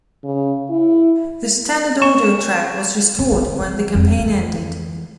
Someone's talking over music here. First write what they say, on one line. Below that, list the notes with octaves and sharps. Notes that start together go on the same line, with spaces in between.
The standard audio track was restored when the campaign ended.
C#3
E4
C#6 E7
B3
B3 C4
F3
F2 G#3
E3